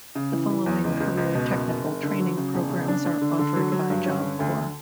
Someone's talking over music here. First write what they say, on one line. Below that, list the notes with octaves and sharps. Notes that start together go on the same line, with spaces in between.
The following Career Technical Training programs are offered by Job Corps.
C#3
E3
E3
E2
C#2
C#2
C#2
B2
F#1
F#1
F#1
D3
F#3
C#3
E1
C#3
D4
D4
D3
D3
F#3
F#3
G2
C#4
D3
D2
D3